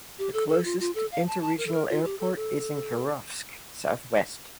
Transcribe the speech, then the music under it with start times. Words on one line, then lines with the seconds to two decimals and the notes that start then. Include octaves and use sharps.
The closest interregional airport is in Kirovsk, southwest.
0.18 G4
0.33 A4
0.49 A4
0.65 F4
0.80 F4
0.95 A4
1.12 F5
1.27 A5
1.42 A5
1.58 A#4
1.67 A4
1.73 A#4
1.89 F4
2.05 G4
2.20 A4
2.36 A4